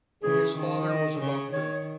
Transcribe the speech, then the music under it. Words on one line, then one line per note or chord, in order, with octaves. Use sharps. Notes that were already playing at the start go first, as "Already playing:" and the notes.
His father was a doctor.
C#3 E3 G#4
D#3
D#5
C#3
D#3 C#5